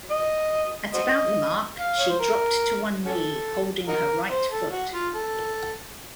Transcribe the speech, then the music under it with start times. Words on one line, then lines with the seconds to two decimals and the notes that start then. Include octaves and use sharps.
At about the mark, she dropped to one knee, holding her right foot.
0.11 D#5
0.94 F#4 C5 D#5
1.79 F5
1.99 C#5
2.10 C5
2.20 A#4
3.05 C#4 F#4 A4
3.88 D#4 F#4 A#4
4.31 C5
4.52 A4
4.72 F#4
4.94 F4
5.15 A4